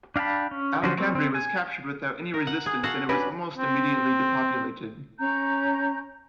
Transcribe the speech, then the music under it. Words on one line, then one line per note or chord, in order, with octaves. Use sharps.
Al-Kabri was captured without any resistance and it was almost immediately depopulated.
D4 F5 G5 A5 B5
C#4
D3 F3 C#4 F#4 C5
F#3 C4
C4
G#5
A#4
F#5
G#4
F#4 A4 F5 F#5
C#4 D4 F#4 G4 B4
C4
C#4 A#5 G6